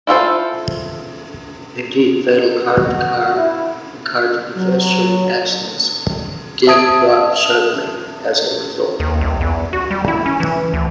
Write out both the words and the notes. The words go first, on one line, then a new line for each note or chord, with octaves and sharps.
Indeed, fatal car-to-car and car-to-pedestrian accidents did drop sharply as a result.
E4 F4 A4 C5
F#4
E4
F#3
E5 A5 D#6 G#6 D7
D#2
C2
E2
F#4
G3
E4
C#4
E3
D2